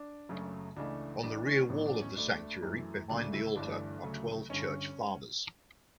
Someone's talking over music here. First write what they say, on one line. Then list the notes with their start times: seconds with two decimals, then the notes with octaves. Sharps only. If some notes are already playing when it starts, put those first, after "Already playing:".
On the rear wall of the sanctuary, behind the altar, are Twelve Church Fathers.
Already playing: D4
0.29 F#1 F#2 C#3 F#3 A3
0.76 C#2 C#3 E3 A3 D4
1.23 A1 A2 E3 D4
1.46 C#4
1.69 A1 A2 F#3 B3 D4
1.86 D4
2.01 C#4
2.16 D2 D3 A3 D4
2.62 F#2 E3 A3
3.09 D2 C#3 F#3 A3 D4
3.33 E4
3.56 G1 G2 E3 A3 D4
4.03 D2 C#3 F#3 A3
4.49 G1 G2 D3 C#4